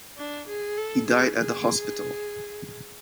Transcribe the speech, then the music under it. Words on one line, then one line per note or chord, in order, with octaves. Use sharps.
He died at the hospital.
D4
G#4
A4
G#4
G#4